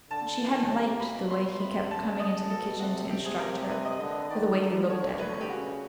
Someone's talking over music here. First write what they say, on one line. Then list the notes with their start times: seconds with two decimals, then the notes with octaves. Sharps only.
She had n't liked the way he kept coming into the kitchen to instruct her, or the way he looked at her.
0.10 D3 A5
0.40 E3
0.70 C3
1.00 B2 B5
1.30 B2 C6
1.60 C3 B5
1.90 C#3 A5
2.19 D#5
2.50 B2 A4
2.80 C3 F#4
3.10 C3 G4
3.25 G#4
3.39 A#4
3.70 B4
3.85 D#5
3.99 D3 D#5
4.30 D#3 D5
4.60 D3
4.90 D3 C#5
5.19 B4
5.41 G4
5.50 C#3 F#4